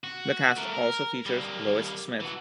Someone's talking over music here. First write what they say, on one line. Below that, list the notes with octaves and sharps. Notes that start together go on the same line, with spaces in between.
The cast also features Lois Smith.
F#4
A3 A#4
A#4
G3 A#3
E3 F#4